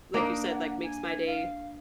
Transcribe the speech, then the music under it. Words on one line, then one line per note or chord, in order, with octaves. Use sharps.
like you said, like, makes my day
A#3 D4 D#4
F#5
G#5
F5